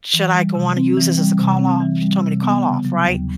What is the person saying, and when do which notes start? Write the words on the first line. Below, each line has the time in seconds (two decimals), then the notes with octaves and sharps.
"Should I go on and use this as a call off?" She told me to call off, right?
0.14 E3
0.34 G3
0.55 C3
0.76 C4
0.97 E3
1.18 G3
1.39 C3
1.59 C4
1.80 E3
2.01 G3
2.22 C3
2.43 B3
2.64 C#3
2.85 F#3
3.06 D#2